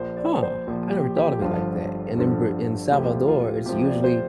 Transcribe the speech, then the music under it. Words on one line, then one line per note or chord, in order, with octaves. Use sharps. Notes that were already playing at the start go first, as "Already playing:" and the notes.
Huh, I never thought of it like that, and in Br in Salvador, it's usually
Already playing: A#1 A#2 F3 C5
D5
C5
A#1 A#2 F3
G4
G4
G1 G2 D3 F3 F4
G1 G2 D3 F3
D2 C3 F3 G4
F4
F4
D2 C3 F3 G4
D5
C5